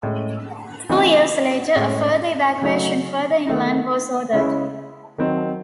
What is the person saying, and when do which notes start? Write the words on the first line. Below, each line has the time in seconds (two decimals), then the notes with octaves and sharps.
Two years later a further evacuation further inland was ordered.
0.03 A2 G#3 C#4
0.89 C#3 E3 A3 C4 D#4
1.75 A2 G#3 C#4
2.61 C#3 F#3 A3 D#4
3.47 D#3 A3 D#4
4.33 C#3 G#3 C#4 E4
5.18 D#3 F#3 C4 D#4